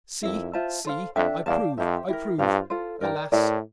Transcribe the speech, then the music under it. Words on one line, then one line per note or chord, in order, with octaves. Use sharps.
'See! see! I prove; I prove.' Alas!
F2 E4 A#4 E5
F4 C5 E5 A5
A4 C5 F5
F2 D4 A4 E5 G5
E2 G4 D5 F5 A5
F2 G4 C5 E5
E4 G4 A#4
G2 F4 C5 F5
F4 A4 C5
G2 A#4 D5 G5 A#5
A2 E4 G4 A#4 D5